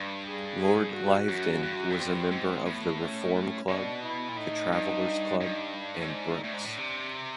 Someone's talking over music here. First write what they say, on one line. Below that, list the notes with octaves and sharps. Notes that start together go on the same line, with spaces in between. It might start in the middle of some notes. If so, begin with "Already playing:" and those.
Lord Lyveden was a member of the Reform Club, the Travellers Club, and Brooks's.
Already playing: G2
G#4
G#4
F#4
F#2
G2
F#2
G2
C4
G#2
A2 B3
C#4
B2 D4
E4
A#2
A2 D#4
G2
G2
D4
A2
G#2
A2 D4
G#2
A2
C3